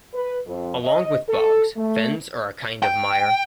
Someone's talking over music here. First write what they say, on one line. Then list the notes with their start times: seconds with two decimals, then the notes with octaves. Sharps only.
Along with bogs, fens are a kind of mire.
0.14 B4
0.46 F2
0.83 D#5
1.28 A4
1.76 A3
2.83 G5